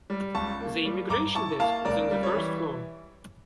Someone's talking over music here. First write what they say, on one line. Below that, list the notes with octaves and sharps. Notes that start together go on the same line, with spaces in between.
The immigration desk is on the first floor.
G3
C#2 A5 C#6
A#3
G3
G2 A#5 D6
E4 A5 C#6
A#3 F5 A5
C#2 A#4 D5
G3
C#5
E3